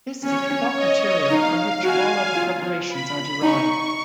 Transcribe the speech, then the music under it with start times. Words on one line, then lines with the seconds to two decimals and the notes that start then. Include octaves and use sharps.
This is the stock material from which all other preparations are derived.
0.23 C#4 C#5
0.77 D#5
1.30 D#4 F5
1.83 F#4 G#5
2.35 F4
2.89 B5
3.41 D#4 C#6